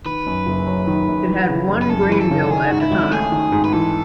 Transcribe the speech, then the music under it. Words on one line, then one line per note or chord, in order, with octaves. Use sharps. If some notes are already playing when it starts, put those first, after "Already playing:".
It had one grain mill at the time.
D#3 B4
F#2
F#1
F#3
D#3
F#2
E3
C#3
F#2
B4
F#2 A4
E3 B4
A4
C#3
D#3 G#4
G#2 F#4
E4
G#1
A3 G#4
D#3
G#2
B4
E3 A4